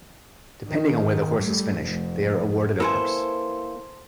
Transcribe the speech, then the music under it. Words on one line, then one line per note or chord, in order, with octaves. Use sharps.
Depending on where the horses finish, they are awarded a purse.
D#3
G3 A3
F1
A#3 E4 A4 B4 C5 G#5